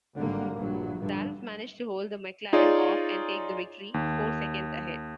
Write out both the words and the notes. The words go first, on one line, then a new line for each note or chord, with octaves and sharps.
Ralf managed to hold the McLaren off and take the victory, four seconds ahead.
G#1 D3 G3 A#3
A#1 G2 F#3
G2 D3
D#4 F4 G#4 C#5 D5
D#2